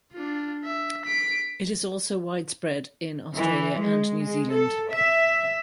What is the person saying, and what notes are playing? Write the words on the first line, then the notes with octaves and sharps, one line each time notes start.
It is also widespread in Australia and New Zealand.
D4 F4
E5
B6 D7
E3
G#3
G#3
A4
E5